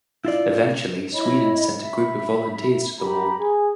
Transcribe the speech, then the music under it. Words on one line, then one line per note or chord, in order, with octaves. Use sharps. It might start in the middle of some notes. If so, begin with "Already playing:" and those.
Eventually Sweden sent a group of volunteers to the war.
E4 F4 D5
E4 C#5 D#5 B5
E5 B5
G4 A#5 B5
G#4